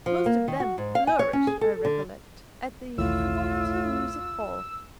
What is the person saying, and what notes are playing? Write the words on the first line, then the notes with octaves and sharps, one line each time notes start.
Most of them flourished, I recollect, at the Frivolity Music Hall.
F3
A#3
D#3
F#4
G#2
F5
G#5
C#5
C#4
G#4
A4
D3
B1 E2 A2 D#3 F4 E6